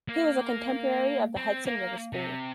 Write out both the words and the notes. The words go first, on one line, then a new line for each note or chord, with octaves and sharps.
He was a contemporary of the Hudson River School.
A#3
C4
A#3
C3